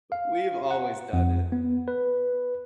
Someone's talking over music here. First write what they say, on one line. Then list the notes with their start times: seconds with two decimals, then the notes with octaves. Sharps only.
we've always done it.
0.12 F5
0.71 F#5
1.13 F2
1.52 B3
1.88 B4